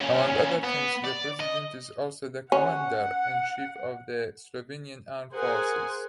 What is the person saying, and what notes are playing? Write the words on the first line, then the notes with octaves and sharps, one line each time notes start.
Among other things the President is also the Commander-in-Chief of the Slovenian Armed Forces.
A#2 C#4
B3
D5
D#5
C#4 F#5
G#4 A#4 C5 F#5 G#5